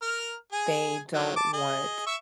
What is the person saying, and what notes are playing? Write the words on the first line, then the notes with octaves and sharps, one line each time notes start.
they don't want
A#4 F6
G#4 G#5
D#3 F#3
A5 D6
G#4 D#5
E5 C#6 E6